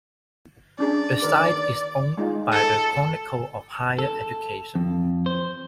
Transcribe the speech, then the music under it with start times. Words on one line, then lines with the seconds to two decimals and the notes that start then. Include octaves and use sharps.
The site is owned by "The Chronicle of Higher Education".
0.79 C#4 D4 G#4 D5
1.22 D#3 A#4 B4
2.17 G#3 D#4 F4
2.52 A4
3.99 A4
4.75 F2
5.26 C5